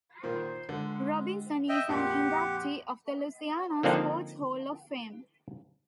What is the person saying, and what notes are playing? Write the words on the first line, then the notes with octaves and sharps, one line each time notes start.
Robinson is an inductee of the Louisiana Sports Hall of Fame.
A#2 D#3 C5
D3 G#3
D#5 E5 G5
A#1 F2 D4 G4 F#5
D3 F3 A#3 C4 D4 D#4